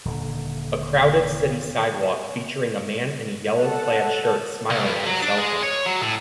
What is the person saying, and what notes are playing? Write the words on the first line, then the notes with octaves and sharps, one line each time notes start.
A crowded city sidewalk featuring a man in a yellow plaid shirt smiling on a cellphone.
D#1 D3
A4 F#5 A5
C2
G2
F#3
D4
G#3
C#5
F#3
A2